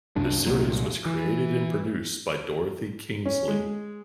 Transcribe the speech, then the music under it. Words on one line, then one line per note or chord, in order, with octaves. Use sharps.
The series was created and produced by Dorothy Kingsley.
C2 F#2 D4
C2 A#2 F#3
E3
C#4
G#3